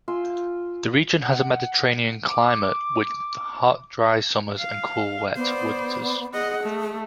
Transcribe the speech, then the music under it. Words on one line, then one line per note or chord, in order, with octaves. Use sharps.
The region has a Mediterranean climate with hot dry summers and cool wet winters.
F4 G#5 C6 E6
F#5
D6
F5
B3 C5 D5
G#4 D#5 F#5
A3